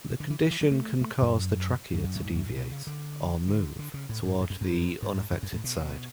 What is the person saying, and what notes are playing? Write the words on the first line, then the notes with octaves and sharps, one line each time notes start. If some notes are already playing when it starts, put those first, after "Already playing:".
The condition can cause the trachea to deviate, or move, toward the unaffected side.
B2
D3
E3
D3
E3
F#3
A3
A3
F#2
F#2
F#2
F#2
G#2
F#2
A2
B2
C#3
D3
D3
D3
C#3
A2
G#2
G#2
F#2
F#2
G#2
F#2
F#2
A2
B2